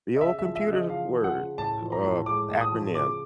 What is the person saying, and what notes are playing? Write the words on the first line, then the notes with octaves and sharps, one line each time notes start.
The old computer word or, um, acronym,
D#5
C#3 E5
E5
F3
E5
C#3
D#5
F3 F5
F3
F#5
C#3
A2 A5
F3
A#5
A2
G#3 D6
A2
D#6
F3
C#3 D6